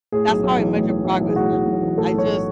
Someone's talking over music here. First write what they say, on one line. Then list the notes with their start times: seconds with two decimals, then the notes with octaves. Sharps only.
that's how I measure progress now. I just
0.12 A2 G#4
0.28 B1
0.43 B1
0.59 E3
0.74 A2
0.89 B1
1.05 B1
1.20 E3
1.28 G#4
1.36 A2 F#4
1.52 B1
1.67 B1
1.83 E3
1.98 A2 A4
2.14 B1 C#5